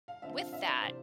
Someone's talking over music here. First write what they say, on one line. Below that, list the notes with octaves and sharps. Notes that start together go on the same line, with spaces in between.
with that,
F5
D3 F3 C4 E5
F5
E5
D5
C3 E3 C5